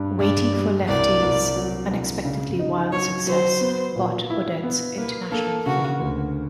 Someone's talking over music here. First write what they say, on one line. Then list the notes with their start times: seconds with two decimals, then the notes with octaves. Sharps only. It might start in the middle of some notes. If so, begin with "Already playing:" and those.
"Waiting for Lefty"'s unexpectedly wild success brought Odets international fame.
Already playing: G2 G3
0.19 G2 D5
0.54 G3
0.88 C2 D5
1.22 C2
1.56 F#3
1.91 C2
2.24 C#3
2.59 D#4
2.92 F#3 C#5
3.27 F#3 C5
3.61 B3
3.96 A#2
4.30 E4
4.63 B3
4.98 A#3 B4
5.32 A#3 A4
5.66 C#3 F#4
6.00 D2